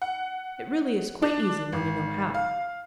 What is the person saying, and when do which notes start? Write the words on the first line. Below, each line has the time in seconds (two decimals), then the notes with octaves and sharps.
It really is quite easy when you know how.
0.02 F#5
1.22 D4
1.72 G#1
2.35 F5